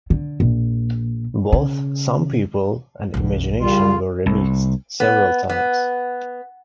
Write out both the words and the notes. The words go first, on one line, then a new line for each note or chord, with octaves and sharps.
Both "Some People" and "Imagination" were remixed several times.
D3
A#1
C#3
B1 E2
C2 C#3 G3 F4
C2
B3
B3